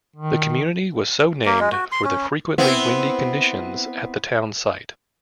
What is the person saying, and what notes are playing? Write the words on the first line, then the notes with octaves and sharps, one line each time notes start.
The community was so named for the frequently windy conditions at the town site.
D#3
A#3
G#3
F#4
C6
C#4
B3 C4 E4